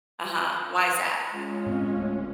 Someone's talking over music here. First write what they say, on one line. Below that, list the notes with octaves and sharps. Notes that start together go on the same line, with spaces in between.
Uh-huh, why's that?
G#3 C#4 F4
A2 C4
D1 A3